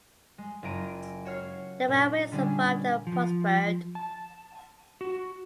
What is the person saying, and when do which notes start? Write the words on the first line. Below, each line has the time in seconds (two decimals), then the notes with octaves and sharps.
The railway survived and prospered.
0.38 G#3
0.63 F#1 F4 A#5 D7 D#7
1.25 F#4 C#5 F6 C7
1.88 A#2 D4
2.32 D3 G3 C#4 D4 G#4 D5
3.07 F3
3.95 A5
5.01 F#4